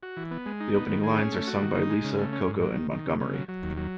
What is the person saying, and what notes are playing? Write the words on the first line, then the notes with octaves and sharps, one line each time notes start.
The opening lines are sung by Lisa, Coco and Montgomery.
F#4
E3
B3
G#3
D#4
B3
D#3
G#4
C#4
A3
F#4
D#3
D#4
G#3
C#3
A3
C#4
G#2
F#3
D#3
D#3
C#3
C#3
F#3
F#3
D#2
F#3